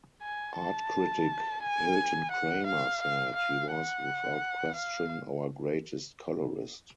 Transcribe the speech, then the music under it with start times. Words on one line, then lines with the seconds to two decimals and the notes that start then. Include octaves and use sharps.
Art critic Hilton Kramer said, He was, without question, our greatest colorist...
0.22 G#5
0.57 A5
1.62 G#5
2.31 F#5
2.66 F5
3.02 F5
3.36 F5
3.72 F#5
4.76 F5